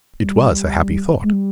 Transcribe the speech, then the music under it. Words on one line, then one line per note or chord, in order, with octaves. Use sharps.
It was a happy thought.
G3
G#3
G3